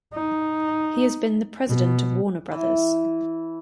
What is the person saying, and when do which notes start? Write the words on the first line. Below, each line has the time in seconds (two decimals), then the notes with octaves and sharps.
He has been the president of Warner Bros.
0.14 D#4
1.68 B2
2.51 E3